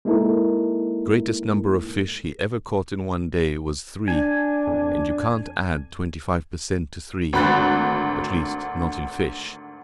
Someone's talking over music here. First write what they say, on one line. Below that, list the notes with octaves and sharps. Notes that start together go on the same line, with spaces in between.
The greatest number of fish he ever caught in one day was three, and you can't add twenty-five per cent. to three--at least, not in fish.
G#3 A#3 D#4 E4 A4 A#4
D4 G#5
F2
G#1 D2 B5 F#6 A6